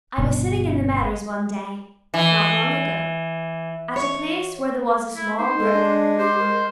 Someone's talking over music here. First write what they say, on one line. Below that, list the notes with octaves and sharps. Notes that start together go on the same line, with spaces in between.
I was sitting in the meadows one day, not long ago, at a place where there was a small brook.
G1 B2
E3
C#5
E4
D#4 C5
G#3 A4
D4
G4 C5
G#3 A#4